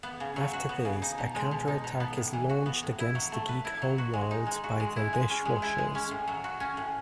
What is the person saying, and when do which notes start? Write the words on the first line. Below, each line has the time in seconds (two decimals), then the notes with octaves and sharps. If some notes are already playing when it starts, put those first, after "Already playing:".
After this, a counterattack is launched against the Geek homeworld by the Dishwashers.
0.03 B3
0.20 C#3
0.36 F#3
0.53 F#4
0.69 B3
0.85 C#3
1.02 D#4
1.18 B2
1.35 G#3
1.51 B2
1.67 D#4
1.84 B2
2.00 B3
2.17 A2
2.33 E3
2.49 F#4
2.66 B3
2.83 A2
3.00 E4
3.15 F#3
3.32 A3
3.49 B4
3.65 E4
3.82 F#3
3.98 F#4
4.13 G#3
4.31 D#4
4.46 G#3
4.64 F#4
4.80 G#3
4.96 E4
5.13 G#3
5.29 C#4
5.45 G#3
5.62 E4
5.78 G#3
5.95 C#4
6.11 A2
6.27 F#3
6.44 F#4
6.60 C#4
6.77 A2